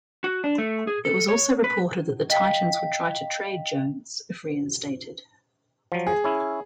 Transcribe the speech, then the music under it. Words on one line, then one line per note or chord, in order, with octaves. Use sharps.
It was also reported that the Titans would try to trade Jones, if reinstated.
F#4
D4
A3
G#4
A4
C#5
B4
D#5 F5 G5 B6
F3 F#3
G#4
C#4 E4